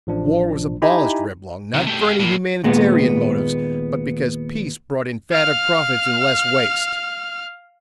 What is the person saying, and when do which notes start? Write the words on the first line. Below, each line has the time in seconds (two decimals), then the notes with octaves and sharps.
War was abolished, Reblong, not for any humanitarian motives, but because peace brought in fatter profits and less waste.
0.07 A1 F3 D4
0.82 D#4 E4 G4 G#5 A#5 B5
1.74 C3 D#3
1.87 A3 G4
2.01 G4 F5
2.20 A2 A#3
2.64 D#2 A#2 G#3 B3
5.31 F5 F6